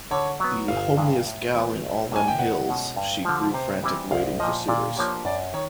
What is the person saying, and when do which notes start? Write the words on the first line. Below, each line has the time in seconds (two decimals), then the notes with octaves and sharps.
The "homeliest gal in all them hills," she grew frantic waiting for suitors.
0.11 D3 C#5
0.40 F#3 B3
0.68 G1 F5
0.97 G2 E3 G#3
1.26 A2
1.54 E3 G3 B3
1.82 B1
2.11 A2 F#3 A#3 D4 G#5
2.28 G5
2.39 E2 F#5
2.67 B2 G#3 C#4 E4
2.96 G2
3.25 D3 F3
3.54 C3 C5
3.83 E3 G3 C4 E4
4.11 C2 F5
4.40 A#2 F3 D#5
4.67 A#2 D5
4.96 F3 A#3 D4 G4 C#5
5.25 F#2 D5
5.54 D#3 C#5